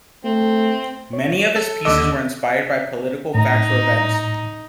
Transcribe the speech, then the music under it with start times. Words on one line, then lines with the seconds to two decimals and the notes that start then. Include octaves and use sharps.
Many of his pieces were inspired by political facts or events.
0.24 A3 C4
1.13 C#5
1.56 A4
1.85 D#2 D3 A4 D#5 D6 E6
3.35 A2 D#4 A#5